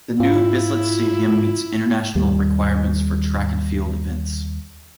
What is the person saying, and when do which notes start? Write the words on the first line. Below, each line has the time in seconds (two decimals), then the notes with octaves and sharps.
The New Bislett Stadium meets international requirements for track and field events.
0.20 G#2 E4 F4
2.15 D#2 G3